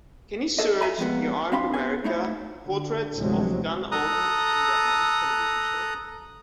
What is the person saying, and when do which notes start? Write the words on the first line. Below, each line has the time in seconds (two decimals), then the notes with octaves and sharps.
Can you search the Armed America: Portraits of Gun Owners in Their Homes television show?
0.58 G#4 A4 D#5
0.81 E5 G#5 A#5 B5
0.98 F2 A#2 G#3 B3
1.52 C4 D4 F5 B5 C6
1.74 B3 G#5
2.04 A2 D#4 E4
2.64 D3
3.14 A1 D2 C3 F3 F#3 G#3
3.92 A4 A#5 D#6 F#6